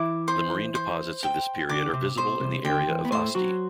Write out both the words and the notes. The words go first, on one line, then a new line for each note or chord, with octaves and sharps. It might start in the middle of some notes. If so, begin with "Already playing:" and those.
The marine deposits of this period are visible in the area of Asti.
Already playing: E3 E4 D6
C5
C5
G5
D3 D4 D6
C3 C4
B2 B3 C5
C2 C3
D2 D3 G5
E2 E3
B3
A2 A3 C5
F#3 F#4